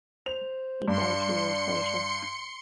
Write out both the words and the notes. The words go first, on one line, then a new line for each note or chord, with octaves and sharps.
He died two years later.
C5 F7
G2 D4 C6 C#7